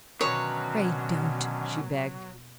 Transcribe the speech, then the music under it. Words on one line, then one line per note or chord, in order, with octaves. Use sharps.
"Pray don't!" she begged.
B2 D3 D#3 F#3 C#4 B4 C#5